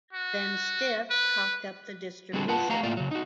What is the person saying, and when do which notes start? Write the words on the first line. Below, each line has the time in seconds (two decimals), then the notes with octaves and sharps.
Then Stiff cocked up the distribution.
0.13 F#4
1.10 B4
2.33 D3 G3 C4 F#4 G#4 A4
2.48 F4 B4 F#5 A5
2.69 A3 G4 F5 F#5 A#5
2.83 A2 A3 A#3 F4 D5
2.97 C#3 F#3
3.11 D#4 F#4